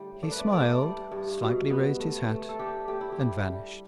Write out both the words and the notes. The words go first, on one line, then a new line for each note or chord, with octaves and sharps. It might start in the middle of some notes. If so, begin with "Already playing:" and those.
He smiled, slightly raised his hat, and vanished.
Already playing: A2 D3 G3 E5
A3 D5
B4
D5
A3 D5
G3
G2
B2
B3
A3
A3
A4
D4 G4
A3 G4
E4
G4
G3
G3